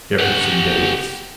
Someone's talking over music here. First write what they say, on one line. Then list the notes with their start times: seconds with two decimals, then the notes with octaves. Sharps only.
"Jefferson Davis."
0.19 G4 F#5